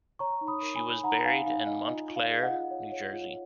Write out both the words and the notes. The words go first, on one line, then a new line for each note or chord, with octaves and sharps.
She was buried in Montclair, New Jersey.
C#5 A#5 C#6
D#4
B5 D#6
A#4
G#5 B5
A#4
D#4 F#5 A#5
D#4 F5 G#5
D#4 F5
D#4 D#5
F4 D#5
F4
F5
G#4
D#5 F#5
F4
C#5
C#5
F4